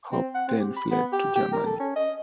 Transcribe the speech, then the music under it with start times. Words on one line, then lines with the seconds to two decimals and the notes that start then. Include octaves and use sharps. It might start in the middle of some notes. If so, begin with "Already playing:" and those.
Hopp then fled to Germany.
0.12 C4
0.35 F#5
0.48 C4
0.60 G4
0.76 B5
0.91 B3
1.13 G4
1.35 G4
1.53 A#4
1.66 A4
1.80 C#4
1.96 D#5